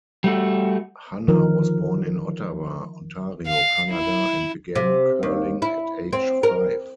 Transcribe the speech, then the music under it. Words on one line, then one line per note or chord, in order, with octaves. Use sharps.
Hanna was born in Ottawa, Ontario, Canada and began curling at age five.
G3 A3 F#4
D3 D#3 F3 D#4 A#4
F5
E4
C3
D#2
E4
C4
A#4